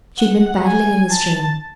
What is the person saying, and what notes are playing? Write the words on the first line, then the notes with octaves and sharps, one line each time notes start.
She'd been paddling in the stream.
F#5
G#5
A5